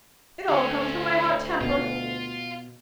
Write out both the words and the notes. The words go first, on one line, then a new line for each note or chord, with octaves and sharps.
'It all comes from my hot temper!
D2 D3 C#4
B2 F4